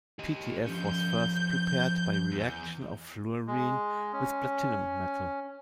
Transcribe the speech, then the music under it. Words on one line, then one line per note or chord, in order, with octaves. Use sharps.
PtF was first prepared by reaction of fluorine with platinum metal.
G4 D#5
F3 C#4 G6
E2
G#3
C#4